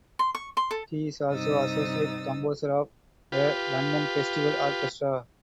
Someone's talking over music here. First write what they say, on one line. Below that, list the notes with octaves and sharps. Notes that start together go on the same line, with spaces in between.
He is also Associate Composer of the London Festival Orchestra.
C6
C#6
C6
A4
G2 C3 D#4 D#6 E6 A6
F4 G4 B4